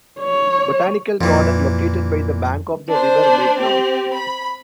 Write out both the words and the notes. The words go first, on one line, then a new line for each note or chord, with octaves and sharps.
Botanical Garden located by the bank of the river Meghna.
C#5
F2 A#2 E3
D4 C5
C4 G4
B5